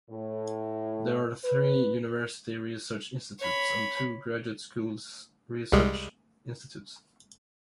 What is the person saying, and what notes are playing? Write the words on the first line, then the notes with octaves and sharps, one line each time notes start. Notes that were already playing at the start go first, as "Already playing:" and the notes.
There are three university research institutes and two graduate school research institutes.
A2
B4
C#5 B5
C2 G3 G#3